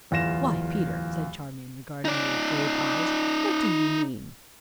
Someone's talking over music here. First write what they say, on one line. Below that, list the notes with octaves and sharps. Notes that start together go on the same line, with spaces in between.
"Why, Peter!" said Charmian, regarding me with grave eyes, "what do you mean?"
D1 E2 F4 A#6 E7
D#4 D5